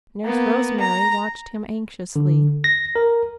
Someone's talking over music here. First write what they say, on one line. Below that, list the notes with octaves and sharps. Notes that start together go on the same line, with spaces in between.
Nurse Rosemary watched him anxiously.
A#3 B3
A#5
D3
A#6
A#4